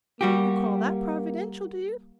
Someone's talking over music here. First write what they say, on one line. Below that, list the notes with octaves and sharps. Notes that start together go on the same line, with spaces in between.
You call that providential, do you?
G3 A#3 F#4 G4